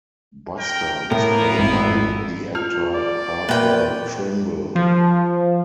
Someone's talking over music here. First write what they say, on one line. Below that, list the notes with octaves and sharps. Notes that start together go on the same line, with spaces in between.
Buster was played by the actor Arthur Trimble.
A#4 G5
A2 A#3 B3 A#4
G#1 E4
F4 F6
D5
A#2 B4 E5 G5
F3